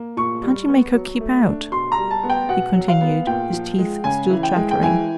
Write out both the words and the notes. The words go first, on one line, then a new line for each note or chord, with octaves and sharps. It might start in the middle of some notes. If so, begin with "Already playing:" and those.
"Can't you make her keep out?" he continued, his teeth still chattering.
Already playing: A#3
A#2 C#6
G3
B3
F#3
A3
D4
B2 C6
A#5
G3
A5
B3
G5
B2 F#5
F#3
F5
B3
A#2 G5
F3
G#3
C#3 G#5
E3
G5
G#3
G5
E3 G#5